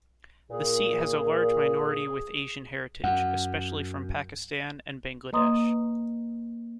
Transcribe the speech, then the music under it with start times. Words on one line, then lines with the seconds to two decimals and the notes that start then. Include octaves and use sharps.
The seat has a large minority with Asian heritage, especially from Pakistan and Bangladesh.
0.51 A#2 G#4
3.04 F#2 F#5
5.33 A#3 B4 D#5 A#5 C6 D#6